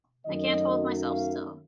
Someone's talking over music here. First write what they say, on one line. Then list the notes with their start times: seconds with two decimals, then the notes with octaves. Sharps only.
I can't hold myself still.
0.25 F#2 D#3 F#3 A3 D#5
1.04 F5